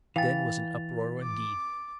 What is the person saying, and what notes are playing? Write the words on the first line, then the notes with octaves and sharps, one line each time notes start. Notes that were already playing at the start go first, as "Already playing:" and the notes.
Then was an uproar indeed.
E3 F5 G5 G#5 A6 F7
D6